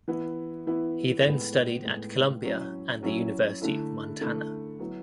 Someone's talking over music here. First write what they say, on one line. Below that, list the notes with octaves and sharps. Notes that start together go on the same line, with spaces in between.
He then studied at Columbia and the University of Montana.
E3 B3 E4
E3 B3 E4
A2 G#3 B3
A2 G#3 B3
F#3 C#4 E4
F#3 C#4 E4
D3 A3 E4
D3 A3 E4
F#3 B3 E4